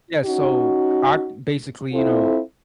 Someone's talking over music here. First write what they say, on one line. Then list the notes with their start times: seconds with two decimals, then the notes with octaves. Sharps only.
Yeah, so I basically, you know
0.25 C#4 D#4 F#4
1.92 C4 E4 F4 A4